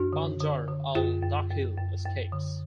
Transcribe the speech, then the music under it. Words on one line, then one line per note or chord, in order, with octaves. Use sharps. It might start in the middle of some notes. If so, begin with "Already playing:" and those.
Bandar Al-Dakheel escapes.
Already playing: F#2 D4 F#4
D3
D3
D3
F#2 F4 G#4
F#2
F#2
F#2
F#2
D3